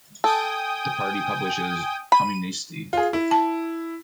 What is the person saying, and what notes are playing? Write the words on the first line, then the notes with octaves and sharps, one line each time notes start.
The party publishes "Komunisti".
A4 G5 G#5 D#6
B5 D#7
F4 G#4
E4
A5